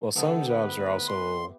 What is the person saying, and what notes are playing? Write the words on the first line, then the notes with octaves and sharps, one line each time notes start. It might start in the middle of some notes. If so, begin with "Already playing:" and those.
well, some jobs are also
D2 D3 D#3 B3 E4 G4 A4
B4
C6